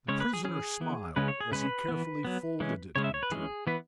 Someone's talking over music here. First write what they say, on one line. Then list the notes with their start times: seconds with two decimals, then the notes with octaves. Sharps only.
The prisoner smiled as he carefully folded it in two.
0.08 C#3 G#3 C#4 C#5
0.20 B4
0.33 G#4
0.45 E3 C#4 G#4
0.81 E3 B3
1.16 C#3 G#3 C#4 B4
1.28 C#5
1.41 G#4
1.52 C#3 G#3 C#4 B4
1.88 E3 B3
2.25 F#3 B3
2.60 E3 G#3 C#4
2.96 C#3 G#3 C#4 C#5
3.04 E5
3.14 C#5
3.23 B4
3.31 E3 G#3 C#4 G#4
3.67 E3 B3 B4